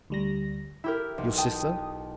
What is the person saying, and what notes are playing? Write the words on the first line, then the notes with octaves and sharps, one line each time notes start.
"Your sister?"
D2 G3 A#6
E4 G4 A#4 E5
B1
G5 A5 D#6